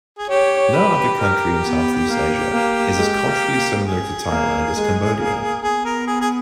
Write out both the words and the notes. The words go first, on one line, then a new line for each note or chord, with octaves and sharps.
No other country in Southeast Asia is as culturally similar to Thailand as Cambodia.
G#4
G4 C#5
B4
A#4
B3
A#3
A#3
G#3
A#3
A#3
G#4
A#3
G#3
A#3
B3 G#4
A#4
G#4
G#4